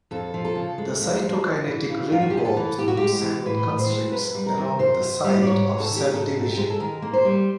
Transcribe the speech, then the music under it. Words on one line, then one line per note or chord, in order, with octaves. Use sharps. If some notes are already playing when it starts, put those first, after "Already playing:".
The cytokinetic ring forms and constricts around the site of cell division.
F2 A4
F3
A4
C#3
G#3
F2
F3
F#2
E3
C#3
F#2 F4
F#4
G4
F#2 G#4
A4
E3
A2 G4
F#4
G#3 G4
G4
E3
A2 B4
A2
C5
G#3
F#2 B4
G3
A#4
D#3
F#2 C5
F#2
G3
D5
G#2 C#5
G#3
A4
D#3
G4
G#4
G#2 A4
G#2
G4
G#3 G#4
A4
D#3 A#4
A#3
C5
G3